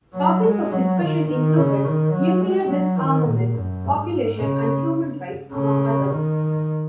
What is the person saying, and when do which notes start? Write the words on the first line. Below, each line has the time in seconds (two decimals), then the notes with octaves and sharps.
Topics of discussion included nuclear disarmament, population and human rights, among others.
0.14 F#3
0.43 G#3
0.72 F#3
1.00 D#3
1.28 D#3
1.57 C#3
1.85 D#3
2.13 F#3
2.41 G#3
2.69 F#3
2.98 D#3
3.27 A#2
3.56 F#2
3.84 G#2
4.40 C#3
5.53 C#3
6.10 D#3